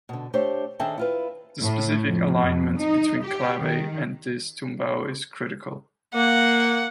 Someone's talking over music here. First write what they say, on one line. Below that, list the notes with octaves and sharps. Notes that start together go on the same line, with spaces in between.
The specific alignment between clave and this tumbao is critical.
B2 D3
A3 D4 G4 C5 C#5
D#3 C4 D4 G#4 A4 E5
E4 F4 B4
A2
F2
F2
D#4
G4
D#3
A#3 F#5